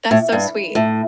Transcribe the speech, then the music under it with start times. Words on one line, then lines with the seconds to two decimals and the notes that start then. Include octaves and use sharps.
That's so sweet.
0.11 A2
0.32 G2
0.75 A2